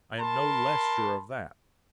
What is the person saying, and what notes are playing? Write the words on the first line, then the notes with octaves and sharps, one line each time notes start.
I am no less sure of that.
A#4 A5 B5 C6